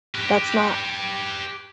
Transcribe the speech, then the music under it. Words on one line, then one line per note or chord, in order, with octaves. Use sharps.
that's not
G4 B4